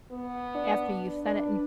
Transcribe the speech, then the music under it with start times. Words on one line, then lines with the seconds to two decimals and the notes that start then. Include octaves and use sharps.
after you've said it, and
0.11 B3
0.55 D4
1.26 D4 B4